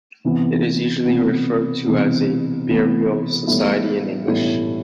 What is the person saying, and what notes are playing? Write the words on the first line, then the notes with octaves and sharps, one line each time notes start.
It is usually referred to as a burial society in English.
C3 E3 B3
C3 E3 B3
C3 E3 B3
C3 E3 B3
A1 A2 G3 B3 E4
A1 A2 G3 B3 E4